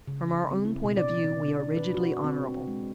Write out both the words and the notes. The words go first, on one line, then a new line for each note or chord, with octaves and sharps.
From our own point of view we are rigidly honourable.
C#3
C4
E4
B2
D5
D4
B4
F#4
C4
G#3